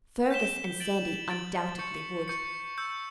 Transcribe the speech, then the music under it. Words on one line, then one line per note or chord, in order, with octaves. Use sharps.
Fergus and Sandy undoubtedly would.
G6 B6 E7 G7
A6 D7 F#7
A6 D7 F#7
C#6 G6 C#7
C#6 G6 C#7
E6 G6 C#7